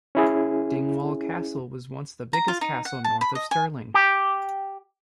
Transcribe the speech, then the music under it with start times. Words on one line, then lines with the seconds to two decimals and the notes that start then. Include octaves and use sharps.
Dingwall Castle was once the biggest castle north of Stirling.
0.15 C#4 E4 G#4
2.33 A#5
2.48 F4
2.61 D#4
2.85 F#5
3.04 A5
3.21 B5
3.35 D#5
3.51 G#5
3.94 G4